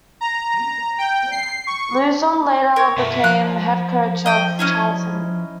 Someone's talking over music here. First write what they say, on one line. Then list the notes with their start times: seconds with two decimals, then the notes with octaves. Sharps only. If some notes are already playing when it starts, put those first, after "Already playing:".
Luzon later became head coach of Charlton.
0.21 A#5
0.98 G5
1.31 C7
1.67 C#6
2.76 A#4 C#5
2.98 B2 E5 A5
3.24 F3 F#6
4.26 D#5 G5
4.59 C#4 D#4 E4